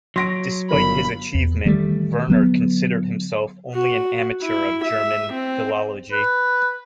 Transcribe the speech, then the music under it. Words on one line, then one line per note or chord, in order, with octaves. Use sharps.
Despite his achievement, Verner considered himself only an amateur of German philology.
F#3 C6 A#6 D7
G1 A#4 B5
E2
D#3 E3 G3 A3
D3 F#3 B3
F#4
E4
E5
C4
B4